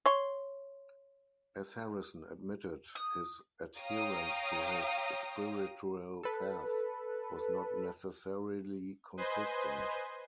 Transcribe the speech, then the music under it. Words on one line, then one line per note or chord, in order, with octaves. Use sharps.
As Harrison admitted, his adherence to his spiritual path was not necessarily consistent.
C#5 C6
D#6
C#5 F5 G5 A#5 D#6
A4 B4
B4 C5 D#5 G#5 C6